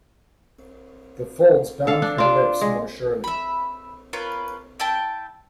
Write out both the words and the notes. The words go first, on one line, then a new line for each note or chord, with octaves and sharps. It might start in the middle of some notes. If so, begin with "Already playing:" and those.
The folds bound her lips more surely.
A4 F5
D4
D4 F4
G#3
E5 B5
C#4 F4 A#4 B4
E4 G5 A5